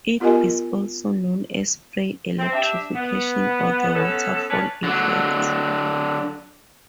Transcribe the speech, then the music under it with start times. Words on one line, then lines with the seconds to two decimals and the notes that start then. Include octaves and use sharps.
It is also known as spray electrification or the waterfall effect.
0.20 B3 F4 G4 A#4 D#5 G#5
2.39 C4
2.52 D4 G4 E5
2.94 B3
3.94 B3 C#4 A4
4.49 C#4 D4 F4 B4 C#5 D5
4.84 D3 F#3